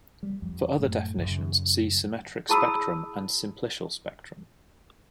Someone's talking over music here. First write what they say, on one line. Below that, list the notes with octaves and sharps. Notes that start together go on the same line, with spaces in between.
For other definitions, see symmetric spectrum and simplicial spectrum.
G3
F2
F#2 A2
F#2 C#3
E4 G#4 A5 B5 D#6 E6